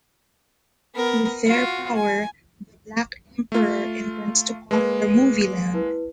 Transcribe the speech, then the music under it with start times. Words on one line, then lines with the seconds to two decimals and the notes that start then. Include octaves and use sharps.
With their power, the Black Emperor intends to conquer Movieland.
0.95 B3 A#4
1.46 F4 F#4
1.95 G#5
3.52 A3 F4
4.71 G#3 A#3 B4 B5
5.74 E4 B4